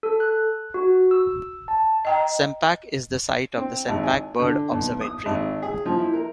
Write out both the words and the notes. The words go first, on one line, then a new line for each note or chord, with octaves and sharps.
Sempach is the site of the Sempach Bird Observatory.
A4
F#6
F#4
E6
A5
D#5 G5 A#5
C4
G#1
G#5
D3
B1
D#6
G#1
G#4
F3
E4
A#4